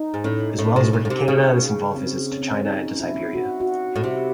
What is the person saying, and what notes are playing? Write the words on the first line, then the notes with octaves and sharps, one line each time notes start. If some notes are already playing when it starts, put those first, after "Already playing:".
As well as work in Canada this involved visits to China and to Siberia.
Already playing: D#4
G#2
A2 C#4
A2 C#4
A2
A2
A2
C3
C#3
C4
C#4
C4
C#4
D#4
E4
F#4
F#4
A2
C3 E4